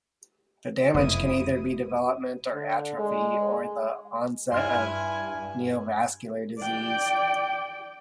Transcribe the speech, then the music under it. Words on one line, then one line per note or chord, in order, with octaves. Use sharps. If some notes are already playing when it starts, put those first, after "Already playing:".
The damage can either be development of atrophy or the onset of neovascular disease.
F1 F2 E4 D#6
D3
G#3
G2 E4 G#5 C6 F6
D5 G5